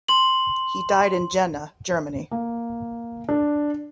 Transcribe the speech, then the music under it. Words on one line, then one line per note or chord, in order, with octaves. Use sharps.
He died in Jena, Germany.
C6 F#7
A#3
D4